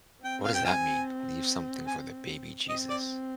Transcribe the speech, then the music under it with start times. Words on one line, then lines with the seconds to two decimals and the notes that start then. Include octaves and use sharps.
What does that mean? "Leave something for the baby Jesus."
0.24 C4 G5
0.45 F5
0.54 G5
0.65 F5 G#5
1.87 G#5
2.69 C4 D#5
2.90 D5